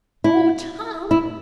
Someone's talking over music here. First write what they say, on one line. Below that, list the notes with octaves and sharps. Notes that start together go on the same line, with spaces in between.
"Oh, Tom!"
E4
E4